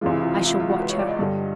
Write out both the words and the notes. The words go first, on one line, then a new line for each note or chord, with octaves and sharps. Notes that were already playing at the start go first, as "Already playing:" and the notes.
I shall watch her.
C#2 C3 E3 G#3 F4
E4
F4
F4
E4
F4
F#4
B4
C#5
D5
D#5
G2 D3 G3